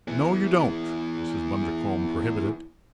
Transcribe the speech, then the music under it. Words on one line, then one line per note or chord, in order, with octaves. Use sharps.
"No, you don't!" Mrs. Bundercombe prohibited.
E3 B3